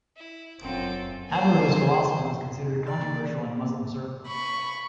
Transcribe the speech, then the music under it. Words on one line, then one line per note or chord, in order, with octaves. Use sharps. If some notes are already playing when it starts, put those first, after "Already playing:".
Averroes' philosophy was considered controversial in Muslim circles.
E4
F#2 C4 F4 A4 D7
A#3 F4 C5 G#5
D#4
D5
A#3
B5 C#6